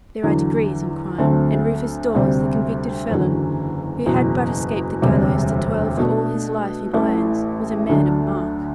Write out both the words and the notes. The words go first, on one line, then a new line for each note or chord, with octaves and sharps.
There are degrees in crime, and Rufus Dawes, the convicted felon, who had but escaped the gallows to toil for all his life in irons, was a man of mark.
E2 D3 F#3
D2 D3 F#3 A3 C4
D2 C3 G3 C4
F#1 E2 D3 F#3
F#1 E2 B2
E1 D2 C3 G3
B2 A3 D4
A1 A2 E3 A3 E4
D2 D3 F#3 A3 D4